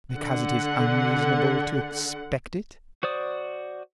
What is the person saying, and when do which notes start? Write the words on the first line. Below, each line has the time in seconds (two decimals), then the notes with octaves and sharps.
"Because it is unreasonable to expect it."
0.14 D3 F#5
3.03 F#4 C5 D5 D#6